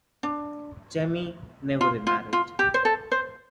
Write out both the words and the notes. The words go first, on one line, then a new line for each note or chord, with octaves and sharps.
Jemy never remarried.
D4
F4
F4
F4
G4
C5
A4
C5